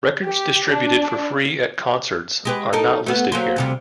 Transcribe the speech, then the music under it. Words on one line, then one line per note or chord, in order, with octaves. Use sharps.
Records distributed for free at concerts are not listed here.
G4
D4
G#3 G4 B4
D#4 A4 A#4
A3 B3
F#3 A#3 C5
D2 C3 G3